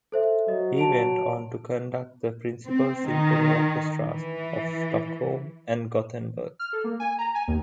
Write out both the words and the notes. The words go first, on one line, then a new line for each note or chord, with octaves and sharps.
He went on to conduct the principal symphony orchestras of Stockholm and Gothenburg.
A4 C5 E5
F#3 D#5
A5 D7 F7
C4
D#3
E3
F6
A4
A#3
G#5
A#5
G#5
D#2